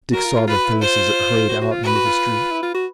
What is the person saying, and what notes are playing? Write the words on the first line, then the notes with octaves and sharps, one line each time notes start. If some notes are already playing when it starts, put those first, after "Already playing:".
Dick saw the face as it hurried out into the street.
F#4 A#4
F4
F4
F4 B4
F#4
F4
E4
F4 C5
F#4
F#4
F4
F#4 B4
F#4
F4
E4
F4
F#4